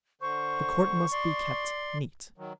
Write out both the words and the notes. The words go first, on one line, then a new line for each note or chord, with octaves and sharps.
The court must be kept neat.
D3 C5 C#6
D5 C6
D#3 F#3